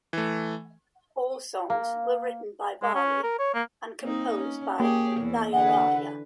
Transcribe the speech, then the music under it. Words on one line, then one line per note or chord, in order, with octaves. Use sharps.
All songs were written by Vaali and composed by Ilaiyaraaja.
E3 A3
A#3
G#3
C#4
A#4
C#5
A#3
A#3 C4 D#4
C#4
A#3 G4 G#4 C#5
E2 E3
D3 E3 B4 F#5